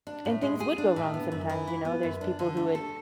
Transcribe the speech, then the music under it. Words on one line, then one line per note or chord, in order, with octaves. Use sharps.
and things would go wrong sometimes, you know, there's people who would
D4
A2
G#3
G#4
D4
A2
B3
F#2
E3
E4
B3
F#2
D4
D3
A3
A4